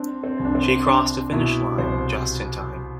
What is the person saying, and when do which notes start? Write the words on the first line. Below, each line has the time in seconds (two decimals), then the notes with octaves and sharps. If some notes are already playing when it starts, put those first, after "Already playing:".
She crossed the finish line just in time.
Already playing: C4 D4
0.24 C4
0.40 C2 D4
0.55 C4
0.86 C4 D4
1.32 B2 E4
1.78 C2 C5